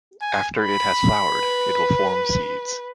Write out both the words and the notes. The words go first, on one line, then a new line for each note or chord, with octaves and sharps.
After it has flowered it will form seeds.
G#5
B5
B4